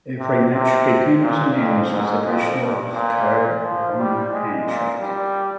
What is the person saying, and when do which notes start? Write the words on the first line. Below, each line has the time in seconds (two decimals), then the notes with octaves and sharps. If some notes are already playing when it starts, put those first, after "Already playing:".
Every match begins and ends with the traditional Code of Honor handshake.
0.18 C3
0.53 C3
1.22 A#2
1.57 F2
1.91 G#2
2.25 F2
2.59 G2
2.94 A#2
3.63 F3
3.97 G3
4.32 G#3
4.66 A#2
5.00 G3